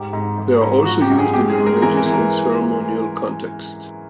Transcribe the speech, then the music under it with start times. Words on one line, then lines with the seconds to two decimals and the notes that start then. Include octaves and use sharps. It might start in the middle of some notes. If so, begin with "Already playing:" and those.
They are also used in a religious and ceremonial context.
Already playing: G#2 G4
0.13 G#2
0.38 G#2
0.61 G#2
0.85 F3 F#4
1.02 G4
1.10 F#2
1.18 G#4
1.34 G#3 G4
1.50 G#4
1.58 G#3
1.66 A#4
1.82 E3 A#4
1.97 A#4
2.06 E3
2.13 A#4